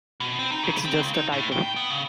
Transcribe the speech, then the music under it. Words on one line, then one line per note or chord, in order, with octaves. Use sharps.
It's just a title.
B2
C4
D#4
C#3
C4
C#2
D#4
A2
G5
B3
C#3